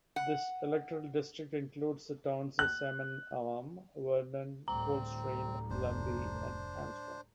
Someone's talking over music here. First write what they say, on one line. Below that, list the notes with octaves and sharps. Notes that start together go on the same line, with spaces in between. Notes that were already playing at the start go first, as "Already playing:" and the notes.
This electoral district includes the towns of Salmon Arm, Vernon, Coldstream, Lumby and Armstrong.
F#5
F#6
D2 A2 G3 C4 A#5
F1 D4 C5